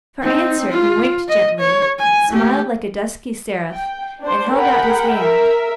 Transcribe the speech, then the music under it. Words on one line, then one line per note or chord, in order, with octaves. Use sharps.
For answer he winked gently, smiled like a dusky seraph, and held out his hand.
C4 D#4
F4
D#5
C#5
G#5
A3 G4
G5
D4 C5
G#4 A#4 F#5 G5 B5
A#4 E5